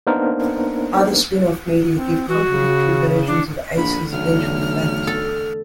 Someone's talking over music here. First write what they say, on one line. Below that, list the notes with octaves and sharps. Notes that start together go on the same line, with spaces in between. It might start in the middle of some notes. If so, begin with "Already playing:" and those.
Other spin-off media give contradictory versions of Ace's eventual fate.
A#3 B3 D4 D#4 A#4 C5
C4
E3 F#4
C#3
D4
A#1 E2 D3 A3 B5
B1 F6
A4